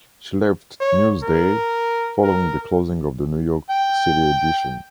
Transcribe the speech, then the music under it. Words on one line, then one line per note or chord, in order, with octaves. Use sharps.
She left "Newsday" following the closing of the New York City edition.
C#5
A#4
A#4
G5